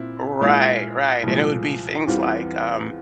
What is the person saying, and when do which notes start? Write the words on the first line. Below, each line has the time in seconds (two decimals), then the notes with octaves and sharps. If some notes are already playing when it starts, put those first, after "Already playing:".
Right, right, and it would be things like, um,
Already playing: A#2 C4 E4
0.41 A#2 G#3 E4 A#4 F5
1.23 C2 A#2 F3 G#3
2.07 E2 E3 G3 C4 F4